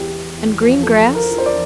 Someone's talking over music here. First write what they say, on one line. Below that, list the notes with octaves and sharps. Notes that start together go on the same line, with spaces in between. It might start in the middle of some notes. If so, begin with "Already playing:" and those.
"And green grass?"
Already playing: E2 G4
E2
E2
F3
E2 A4
F3
A#4
E2
C5
D5